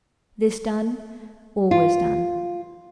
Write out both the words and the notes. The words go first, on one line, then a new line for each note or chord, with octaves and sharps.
This done, all was done.
F4